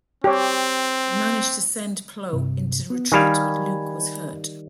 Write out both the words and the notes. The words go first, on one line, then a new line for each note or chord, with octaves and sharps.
They managed to send Plo into retreat, but Luke was hurt.
C4 G4 C#5
G2 C3
B3
D#3 G3 F5 G#5 B5 G#6